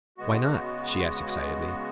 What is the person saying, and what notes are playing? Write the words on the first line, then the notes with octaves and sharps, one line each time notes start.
"Why not?" she asked excitedly.
C#3 G#3 B3 F#4